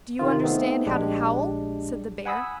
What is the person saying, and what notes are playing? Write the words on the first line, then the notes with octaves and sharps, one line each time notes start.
'Do you understand how to howl?' said the bear.
C3 D#3 F4
A3 B3 C4 D#4
A#1 G#3 D4 G4
F#5 G#5 B5 D#6 E6